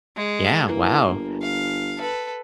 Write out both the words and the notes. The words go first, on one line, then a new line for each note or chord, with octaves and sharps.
Yeah, wow.
G#3
E3 A#3
G1
F5
A4 B4